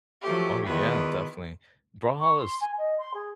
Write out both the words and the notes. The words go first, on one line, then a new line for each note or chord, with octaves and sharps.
Oh yeah, definitely. Brawlhalla is
F3 F#3 A3 G4
E2 D#3 F4 B4
C#6
C6
G#5
D#5
C6
G#4